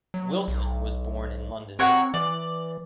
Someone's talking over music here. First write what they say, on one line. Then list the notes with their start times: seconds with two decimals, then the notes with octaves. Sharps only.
Wilson was born in London.
0.14 F#3
0.48 B1
1.79 C4 A#4 C#5 F#5
2.14 E3 D5